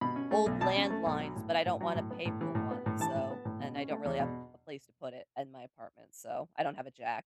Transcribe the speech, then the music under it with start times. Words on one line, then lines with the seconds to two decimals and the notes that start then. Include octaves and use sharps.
old landlines, but I don't wanna pay for one, so and I don't really have a place to put it in my apartment, so I don't have a jack.
0.01 B2 B5
0.16 C#4
0.31 A3
0.46 B1
0.61 B2 A5
0.76 C#4
0.90 A3
1.06 B1
1.20 F#3
1.36 A2
1.51 B3
1.66 A2
1.81 F#3
1.95 A2
2.11 B3
2.25 A2
2.41 E3
2.55 A2
2.71 B3
2.86 A2
3.00 E3 A5
3.15 A2
3.31 B3
3.45 A2
3.60 B2
3.75 C#4
3.90 A3
4.05 E2
4.20 B2